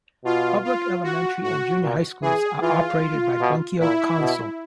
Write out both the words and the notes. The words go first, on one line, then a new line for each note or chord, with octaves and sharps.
Public elementary and junior high schools are operated by Bunkyo council.
B2 F4
F4
F#4
A2 F#4
A#2
E3 G#4
E3 F4
B2
A#2 E4
B2